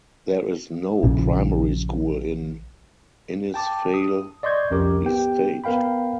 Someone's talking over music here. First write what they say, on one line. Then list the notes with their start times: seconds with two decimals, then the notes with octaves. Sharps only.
There is no primary school in Innisfail Estate.
1.03 A#1 A#2 C#3
3.54 G5 A5 D6
3.94 D#6
4.43 D5 D#5 C6 C#6 G6 G#6
4.70 C2 F2 C#4 G4 A#4 D6
5.05 B3 G4 G5
5.64 B3 A#4 F5 G5 B5